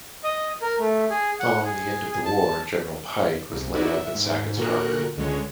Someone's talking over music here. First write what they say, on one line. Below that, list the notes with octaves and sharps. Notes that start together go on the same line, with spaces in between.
Following the end of the war, "General Pike" was laid up at Sackett's Harbor.
D#5
A#4
A3
G#4
F#5
G#4
G#4
A5
C2
D#4 E4 F#4 D5 E5
E5
G#2
A#2 D3 F#4 A#4 F#6
C#2 D3 G#3 C#5